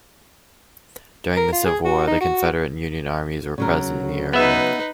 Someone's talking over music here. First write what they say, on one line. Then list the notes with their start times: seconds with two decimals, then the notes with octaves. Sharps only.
During the Civil War, the Confederate and Union armies were present in the area.
1.37 A#4
1.52 F4
1.66 G#4
1.85 F#4
2.07 D#4
2.21 F#4
3.58 C#3 F#3 A#4
4.33 B3 D#4 B4 E5